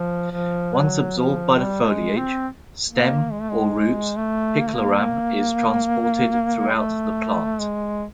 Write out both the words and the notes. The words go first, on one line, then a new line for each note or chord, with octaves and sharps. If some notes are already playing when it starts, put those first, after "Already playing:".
Once absorbed by the foliage, stem, or roots, picloram is transported throughout the plant.
Already playing: F3
F3
F#3
F3
G3
A3
G#3
C4
A#3
G#3
A3
G#3
A3
A#3
A3
A#3
G#3
A3
G#3